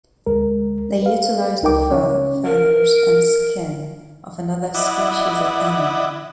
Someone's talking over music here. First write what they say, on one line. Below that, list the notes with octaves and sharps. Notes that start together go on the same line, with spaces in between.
They utilize the fur, feathers, and skin of another species of animal.
D2 G#3 A#4
B4 F5
C#2 D#4 A#4 G5 D6
C#3 C#4 C#5
A#4
E4 D5 D#5 F#5